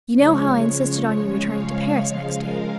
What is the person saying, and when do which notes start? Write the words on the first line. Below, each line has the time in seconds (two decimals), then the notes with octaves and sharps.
You know how I insisted on your returning to Paris next day.
0.14 C#3 F3 G#3 C#5
1.07 C#3 F3 G#3 C#5
1.53 F5
1.99 C#3 F3 G#3
2.46 A#4